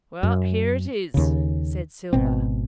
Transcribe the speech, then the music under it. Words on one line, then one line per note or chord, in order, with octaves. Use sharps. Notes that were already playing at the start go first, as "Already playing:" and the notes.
"Well, here it is," said Silver.
F#2
D#2 C#3
G#1 B2 C4